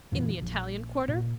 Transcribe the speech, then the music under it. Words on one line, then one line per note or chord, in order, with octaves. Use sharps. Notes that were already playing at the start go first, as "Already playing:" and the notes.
"In the Italian Quarter?"
F2 A#2 C#3 E3
A#1
A#2